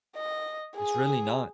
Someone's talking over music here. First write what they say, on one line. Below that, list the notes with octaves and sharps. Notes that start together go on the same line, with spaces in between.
it's really not.
D#5
G#4